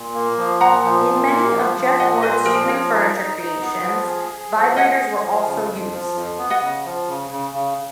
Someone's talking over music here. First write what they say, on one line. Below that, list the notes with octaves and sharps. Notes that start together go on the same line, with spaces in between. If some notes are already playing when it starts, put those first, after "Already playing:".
In many of Jeff Gord's human furniture creations, vibrators were also used.
Already playing: A#2
A#3
F3
A#2 F#5 A#5
F3
A#2
A#3
F3
F3
A#2 D#5 F#5
A#2 B4 D#5
F3 A#4
F3 A#4 C#5
D#4
D#4
D#4
B3
F3
G#4
G#4
F3
G#4 D#5 F#5
G#4
F3
C#3
F2
F3
F2
B3
D#5 F#5
C#3
F3
C#3
C#3
C#3